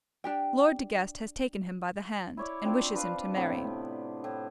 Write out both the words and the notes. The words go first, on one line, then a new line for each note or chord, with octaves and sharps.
Lord De Guest has taken him by the hand, and wishes him to marry.
D4 G4 G5
E4 C#5 D5
F3 C4 D4
D4 B4 F5
A2 C3 B3 B5
A2